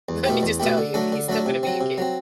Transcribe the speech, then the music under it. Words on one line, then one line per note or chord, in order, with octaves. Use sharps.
Let me just tell you, he's still gonna be your kid.
E2
B2 A3 E4 G4
E2
B2 A3 E4 G4
D3
F#3 A3 D4 A4
D3
F#3 A3 D4 A4
C3
F#3 C4
C3
F#3 C4